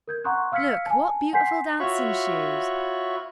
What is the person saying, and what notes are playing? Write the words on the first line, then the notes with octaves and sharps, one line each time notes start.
"Look, what beautiful dancing shoes!"
A#4 G6 G#6
F#5 A#5 C6 C#6 D#6 F#6
F5 E6 F6 G#6 B6 C#7
G#5 A5
F#5 G#5 C6 G6 B6 C7
F4 F#4 C#5 E5 B5 C#6